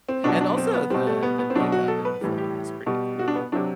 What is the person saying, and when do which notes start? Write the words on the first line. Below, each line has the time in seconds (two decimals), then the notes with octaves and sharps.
And also the the makeup in the film is pretty cool.
0.09 C4
0.24 B2 F#3 D4
0.41 D4
0.57 C4
0.74 B3
0.90 B2 G3 C4
1.07 A3
1.23 B3
1.39 B3
1.50 C4
1.56 B2 F#3 D4
1.72 F#4
1.88 A4
2.05 B4
2.21 A2 E3 G3
2.38 G4
2.86 B2 G3
3.19 F#4
3.28 D4
3.35 B3
3.52 C3 F#3 D4